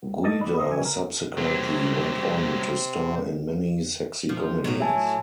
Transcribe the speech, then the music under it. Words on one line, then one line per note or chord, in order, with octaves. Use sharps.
Guida subsequently went on to star in many sexy comedies.
F#2 F#3 A#3 A4 D#5
D#2 D3 D5 B5
A2 C4 D#4 D#5
F2 F#3 C#4 G#5
A#4
C2 C3 F#3
F3
A2 F#3
E5 G#5 A5